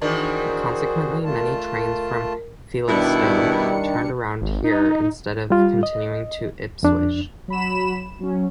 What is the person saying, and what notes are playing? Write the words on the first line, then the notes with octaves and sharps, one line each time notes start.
Consequently, many trains from Felixstowe turned around here instead of continuing to Ipswich.
D#3 E3 D4 F#4 G#4 A#4 C5
A3 F4 A5
B2 D#3 G3 D4 E4 C#7
G#1
D#4
G3 F4
D#5
F2 D4
F#3 B5 E7
F#3 C#4